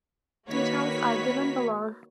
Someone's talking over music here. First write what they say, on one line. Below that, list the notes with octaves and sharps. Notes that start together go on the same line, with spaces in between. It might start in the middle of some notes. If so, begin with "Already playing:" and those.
Details are given below.
D#3 A#3 F#4 B4 C#5 B6